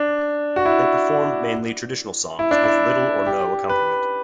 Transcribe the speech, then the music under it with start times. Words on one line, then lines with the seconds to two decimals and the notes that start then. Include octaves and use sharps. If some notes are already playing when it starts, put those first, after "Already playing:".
They performed mainly traditional songs with little or no accompaniment.
Already playing: D4
0.56 F#4
0.65 E4
2.39 E4
2.51 D4
2.64 E4
3.26 G4
3.69 B4